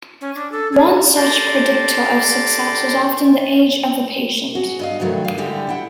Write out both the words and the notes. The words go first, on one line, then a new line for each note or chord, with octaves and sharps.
One such predictor of success is often the age of the patient.
C#4
D4
A4
G#4
G4 A4 A#4 D5 A5 C6
F#4 G#4
G2 D#5 F5
G2 C3 D#3 F#3 G#3 A3
F5
D3 G3 G#3 E4 G4
E4 F#5 G5